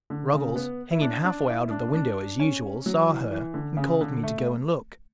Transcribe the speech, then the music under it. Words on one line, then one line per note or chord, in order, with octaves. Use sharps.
Ruggles, hanging halfway out of the window as usual, saw her, and called me to go and look.
D3
C#3
B3
E4
D4
D4
E4
D4
D4
C#4
F#3
E3
E3
D3
C#3
D3
A3